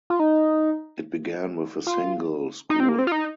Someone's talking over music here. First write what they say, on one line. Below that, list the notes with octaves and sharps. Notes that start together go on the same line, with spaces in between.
It began with a single school.
F4
D#4
F4
D#4
C4
A#3
C4
F4
D#4